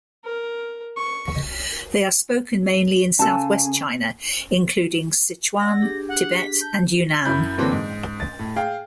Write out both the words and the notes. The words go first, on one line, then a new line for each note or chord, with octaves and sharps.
They are spoken mainly in Southwest China, including Sichuan, Tibet and Yunnan.
A#4
C#6
C#3 A4 G#5 A5
D5 F#5 E6 A#6
D4 G4 G#4
F#5
B6
A5 G6
F#2 E4 B5 G6
A#2 D3 E3 F#3 C4
G#2
A6
A2
G#4 F5 G5